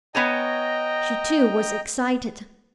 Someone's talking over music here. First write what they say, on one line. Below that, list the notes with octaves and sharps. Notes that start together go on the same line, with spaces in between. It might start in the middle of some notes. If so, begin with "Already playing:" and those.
She, too, was excited.
B3 C#5 D#5 G5 G#5 A#5